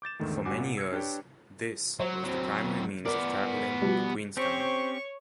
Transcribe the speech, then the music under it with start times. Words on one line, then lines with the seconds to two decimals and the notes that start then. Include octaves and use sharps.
For many years, this was the primary means of travelling to Queenstown.
0.02 D6 G6 A6 E7
0.19 E2 G#2 D3 D#3 A3
0.45 G1 G3 C#4 F#4 G#5 D6
0.58 A#2 F#5
0.77 E6 G#6 A#6 C7 C#7
0.92 D4 G4 B4 C#5 G5
2.00 F#3 C5
2.25 F#3 C4
3.05 B3 A#4 D5
3.82 B2 F3 G3
4.37 C4 C#4 G4 C5 C#5 C#6